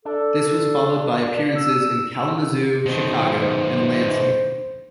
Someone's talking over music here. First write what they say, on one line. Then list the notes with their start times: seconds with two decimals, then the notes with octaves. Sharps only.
This was followed by appearances in Kalamazoo, Chicago, and Lansing.
0.05 D4 A4
1.56 E6
2.86 B2 D#3 C5